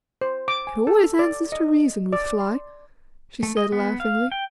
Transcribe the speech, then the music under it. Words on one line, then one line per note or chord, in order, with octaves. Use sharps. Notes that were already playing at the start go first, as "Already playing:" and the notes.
"It always answers to reason with Fly," she said, laughingly.
C5
D6
G#5
A4
D5
D#5
D5
C6
A3
D#5
B3
F5
G5